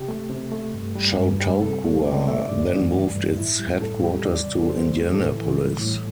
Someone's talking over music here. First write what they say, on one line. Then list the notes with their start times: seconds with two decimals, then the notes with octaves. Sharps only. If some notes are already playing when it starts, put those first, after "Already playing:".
Chautauqua then moved its headquarters to Indianapolis.
Already playing: C3 G4
0.08 A3
0.30 C3
0.52 A3
0.74 G2
0.95 G3
1.18 G2
1.40 G3
1.62 C3 A4
1.84 A3
2.05 C3 D5
2.27 A3 E5
2.49 G2 D5
2.72 E3
2.93 G3
3.15 G2
3.37 A2 E4
3.59 G3
3.82 A2 A4
4.03 G3 G4
4.25 E2 D5
4.47 C3
4.61 A4
4.69 E3 C5
4.92 A3
5.13 A2 A4
5.35 E3
5.58 G3
5.79 A2